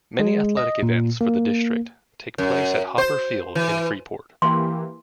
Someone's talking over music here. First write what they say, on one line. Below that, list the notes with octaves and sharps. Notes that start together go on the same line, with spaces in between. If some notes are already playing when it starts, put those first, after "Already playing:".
Many athletics events for the district take place at Hopper Field in Freeport.
G#3
D#5
A#2
A#3
F#2
C5
E3
E3 A#3 G4 C6